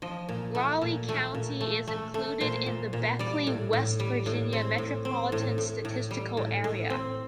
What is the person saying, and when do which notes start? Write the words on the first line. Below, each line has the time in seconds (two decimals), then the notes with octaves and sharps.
Raleigh County is included in the Beckley, West Virginia Metropolitan Statistical Area.
0.02 F3 D#5
0.29 A#2
0.55 A3
0.81 A#2
1.09 A3
1.34 A#2
1.61 A3
1.88 A3
2.14 A3
2.40 A#2 C5
2.66 A#2
2.93 A#2
3.19 G3 D5
3.47 A2
3.73 A2
4.00 G3
4.26 A2
4.53 C4
4.78 A2
5.05 C4
5.32 A2
5.58 A2
5.85 A2
6.11 G3
6.37 A2
6.64 A2
6.90 C4